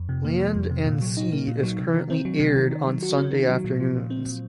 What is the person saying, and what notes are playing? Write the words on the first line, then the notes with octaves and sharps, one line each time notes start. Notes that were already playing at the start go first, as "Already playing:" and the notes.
"Land and Sea" is currently aired on Sunday afternoons.
Already playing: F2
C3
A#3
F3
F2
C3
A#2
F#3
D#4
A#3
A#2
F#3
C3
D#3
C4
F#3
C3
D#3
D#3
F#3
F#4
C#4
D#3
F#3
A#2
F3
A#2
C4
A#2